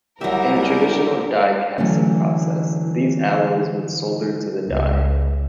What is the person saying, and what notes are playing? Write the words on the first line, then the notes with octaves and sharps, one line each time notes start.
In a traditional die casting process these alloys would solder to the die.
C2 F#3 G4 A#4 E5
D3 E3 F#3 A3 C#4
C#2